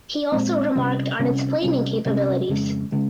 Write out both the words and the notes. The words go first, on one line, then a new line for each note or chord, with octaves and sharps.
He also remarked on its planing capabilities.
A#2 G#3 C4
C3 G3 C#4
C3 G3 C#4
C3 G3 C#4
C3 G3 C#4
F2 C#3 G#3
C#3 G#3